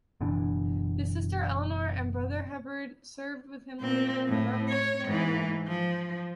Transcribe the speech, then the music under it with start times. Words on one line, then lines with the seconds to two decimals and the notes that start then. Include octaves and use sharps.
His sister Eleanor and brother Hebard served with him later in the Revolutionary War.
0.21 F#1 B2 E3 D4
3.81 A#2 C4
4.28 A2
4.69 C#5
5.05 G#2 E3
5.67 F3